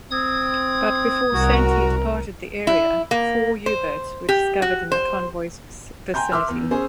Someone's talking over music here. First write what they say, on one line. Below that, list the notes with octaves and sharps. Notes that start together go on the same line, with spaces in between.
But before "Santee" departed the area, four U-boats were discovered in the convoy's vicinity.
C4 D#6 G#6
C2 F#4 A#4
E4
A#3
C5
G4
F#4
C5
G5 G#5 A#5 C6 G6
E5 C6 D6 E6 F6
E2 B3
C#4 G#4 C5